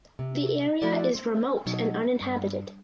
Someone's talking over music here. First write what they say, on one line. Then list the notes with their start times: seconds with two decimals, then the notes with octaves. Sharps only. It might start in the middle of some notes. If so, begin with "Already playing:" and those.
The area is remote and uninhabited.
0.19 C3
0.82 F3 A3 E4 F#4 A4 D5
1.15 C4
1.66 B2 F#3 D#4
2.21 G2